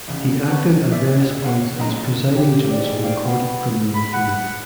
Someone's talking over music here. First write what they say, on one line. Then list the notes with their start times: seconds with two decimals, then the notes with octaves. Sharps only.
He acted at various points as presiding judge in the Court of Criminal Appeal.
0.08 A1 C#3
0.48 C3 B3 F#5 A5 C#6
0.92 G#4 D5 E5
1.20 D2 B2
1.42 C#5 F5 F#5
1.79 F#2 A2 G#3 D#5 A#5
2.35 G4
2.72 G#2 D5
3.04 F5 G5
3.25 B3
3.95 B5
4.14 F#5